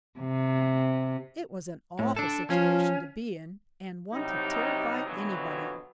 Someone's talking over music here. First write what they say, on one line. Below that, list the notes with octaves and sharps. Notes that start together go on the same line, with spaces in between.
It was an awful situation to be in, and one to terrify anybody.
C3
A2
D4 A4
F3 C#4
C2 C3 F#3 G3 D#4
F2 B2 D3 E3 F#3 B3